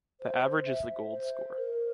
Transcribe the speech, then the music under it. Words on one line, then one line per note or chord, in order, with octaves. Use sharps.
The average is the Golde score.
C5
E5
C5
A#4